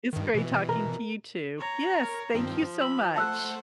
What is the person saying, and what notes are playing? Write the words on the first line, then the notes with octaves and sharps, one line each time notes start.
It's great talking to you too. Yes, thank you so much.
G2 D#3
B2 E3
A#4
C#5 A#5
A#4
G2 D#3 F3 C4
B5 E6 F#7
A3 C5 F#5 A5 E6 F#6